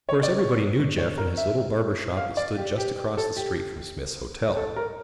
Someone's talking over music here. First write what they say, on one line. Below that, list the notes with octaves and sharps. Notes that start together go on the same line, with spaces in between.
Of course everybody knew Jeff and his little barber shop that stood just across the street from Smith's Hotel.
C#5
D5
C#5
C#5
A#4
E5
F5
D5
G4
G4
A4
G4
A4
A#4